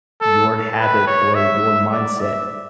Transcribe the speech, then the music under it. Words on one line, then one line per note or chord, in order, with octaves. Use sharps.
your habit or your mindset
A4
B4
C#5
E5
D5
E5